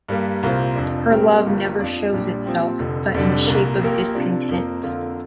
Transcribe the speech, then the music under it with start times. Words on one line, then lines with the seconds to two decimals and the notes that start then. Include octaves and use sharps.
Her love never shows itself but in the shape of discontent.
0.08 G2 G3 A#3
0.43 C2 A#2 A#3 F4 C5
0.76 F1 F2 F3 D4
1.10 A#2 G3 C4 G4 A#4
1.44 G1 G2 F3 A#3 G4
1.78 F2 F3 D4 F4 D5
2.12 A#1 A#2 G3 D4
2.45 A#2 F3 C4 G4
2.79 F1 F2 D3
3.14 F1 F2 D3 G3 D4
3.47 C2 A#2 A#3
3.81 A#1 A#2 A#3 G4 A#4
4.15 C3 F3 D4
4.49 F2 F3 A#3
4.83 F2 D3 A#3 F4